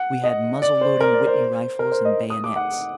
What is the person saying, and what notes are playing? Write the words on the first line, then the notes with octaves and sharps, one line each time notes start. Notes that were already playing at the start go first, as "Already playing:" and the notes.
We had muzzle-loading Whitney rifles and bayonets.
Already playing: F#5
D#5
D5
C5
A#4
D5
C5
A#4
C5
D#5
D#6
D6
F#5